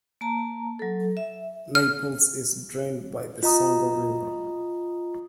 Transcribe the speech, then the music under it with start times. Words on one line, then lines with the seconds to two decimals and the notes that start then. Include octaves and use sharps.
Naples is drained by the Songo River.
0.21 A#3 A5 A#5
0.79 F#3 A4
1.17 E5
1.75 F6
3.43 F4 D#5 A#5 D#6